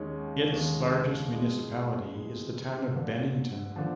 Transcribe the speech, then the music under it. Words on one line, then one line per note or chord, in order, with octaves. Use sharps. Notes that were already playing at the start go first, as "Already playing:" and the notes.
Its largest municipality is the town of Bennington.
Already playing: D#2 D#3 G#3 C#4
D#2 D#3 G#3 C#4
B2 G#3 C4 E4
B2 G#3 C4 E4
G2 D3 F3
D3 F3